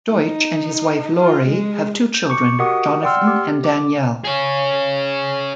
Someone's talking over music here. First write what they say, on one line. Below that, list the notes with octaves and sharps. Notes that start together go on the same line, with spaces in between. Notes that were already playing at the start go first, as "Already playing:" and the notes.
Deutsch and his wife Lori have two children, Jonathan and Danielle.
D#4
F4
G#3
G6
C#6 D6 C#7
F#4 G4 A#4 D#5 F#5 D#6
D5 F#5 G5 C6 E6 F6
G4
D6
G#4 C#5